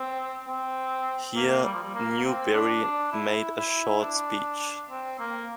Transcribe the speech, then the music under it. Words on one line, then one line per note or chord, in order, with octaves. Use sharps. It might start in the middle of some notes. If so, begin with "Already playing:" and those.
Here Newbery made a short speech.
Already playing: C4
C4
A#3
G3
F3
G3
A#3
C4
D4
D4
E4
E4
D4
C4
A#3